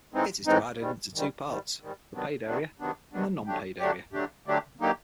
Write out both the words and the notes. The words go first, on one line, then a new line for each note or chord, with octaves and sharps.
It is divided into two parts: the paid area and the non-paid area.
A2 E3 G#3 C4 D#4
A2 E3 G#3 C4 D#4
G#2 D#3 G3
G#2 D#3 G3
G#2 D#3 G3
G#2 D#3 G3
C3 D#3 F#3 B3 D4
C3 D#3 F#3 B3 D4
C3 D#3 F#3 B3 D4
C3 D#3 F#3 B3 D4
D3 F#3 A3 D4 G4
D3 F#3 A3 D4 G4
D3 F#3 A3 D4 G4
D3 F#3 A3 D4 G4
D3 F#3 A#3 D#4 G4